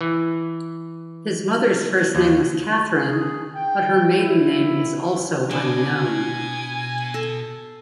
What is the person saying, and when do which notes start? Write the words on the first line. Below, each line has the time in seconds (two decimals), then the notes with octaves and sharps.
His mother's first name was Katherine, but her maiden name is also unknown.
0.01 E3
2.15 D#2
2.93 G#4
3.54 G5
4.19 E4
5.51 B2 D4 G#5
7.14 A4